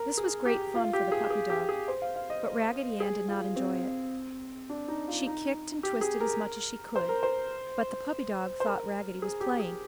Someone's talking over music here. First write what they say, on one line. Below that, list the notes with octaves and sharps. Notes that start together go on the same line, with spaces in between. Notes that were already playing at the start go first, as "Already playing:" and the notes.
This was great fun for the puppy dog, but Raggedy Ann did not enjoy it. She kicked and twisted as much as she could, but the puppy dog thought Raggedy was playing.
Already playing: A#4
G#4
G4
F4
G4
G#4
G#4
G4
G#4
C5
F5
F5
D#5
G#4
F4
C4
D4
D#4
F4
D#4
G4
G#4
A#4
C5
A#4
C5
C5
A#4
G#4
G4
G#4